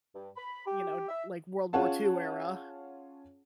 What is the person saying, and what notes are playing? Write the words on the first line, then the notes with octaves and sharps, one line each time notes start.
you know, like World War II era.
G2
B5
G4
E5
C#4 F4 G#4 C#5 F#5 A5